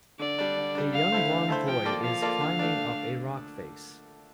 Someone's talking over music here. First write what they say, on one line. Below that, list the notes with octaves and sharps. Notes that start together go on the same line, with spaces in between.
A young blond boy is climbing up a rock face.
D3 D5
G3 D4
D3
G3 D4
D3 F5
A3 E4 A4 C5
D3
A3 E4 A4 C5
F3 G5
A#3 F4 A4 D5
F3 F5
A#3 F4 A4 D5
D3
A3 D4